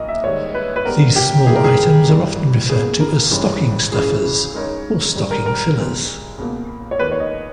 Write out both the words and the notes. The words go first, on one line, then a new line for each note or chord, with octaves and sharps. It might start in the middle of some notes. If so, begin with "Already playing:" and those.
These small items are often referred to as stocking stuffers or stocking fillers.
Already playing: B1 A#2 A#3 D#5
E5
G#2 D#3 G3 C#5
B4
B4
G#2 G3 B3 G4 A#4
G4
G2 D#3 A#3 E4 G#4
A#4
G#4
G#1 G2 E3 G3
C#2 B2 A#3 G#4
A#4
G#1 G2 E3 G#3 C#4
C#2 C#3 E3 G#4
C#3 G#3 D#4 A#4 C#5
G#1 G2 G3
A#4
A#4
B1 B2 G#3
C#2 B2 A#3
C#5
D#2 D#3 A#3 B4
C#5
D#5